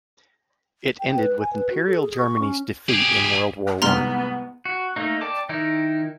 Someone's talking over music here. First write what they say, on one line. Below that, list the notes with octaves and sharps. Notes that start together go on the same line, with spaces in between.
It ended with Imperial Germany's defeat in World War One.
G5
B4
G#5
B4
F#4
A4
G#4
C#6
C#4
G4 G#4
C2 G#2 B3 A#5 C6 F6
F#4
A3 A#3 D#4
D5 G5 A5 D6
D#3 D#4 E4 A#4